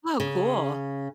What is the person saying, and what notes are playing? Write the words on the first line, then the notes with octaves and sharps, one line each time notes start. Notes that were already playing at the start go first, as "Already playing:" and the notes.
Oh, cool.
C#3